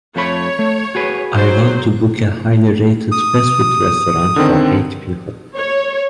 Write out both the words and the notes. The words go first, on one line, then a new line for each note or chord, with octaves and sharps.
I want to book a highly rated fast food restaurant for eight people.
F2 A3 C#5 B5
A3
F#4 G#4 B4
F#3 C5
D#6
D3 D#3 C4
C#5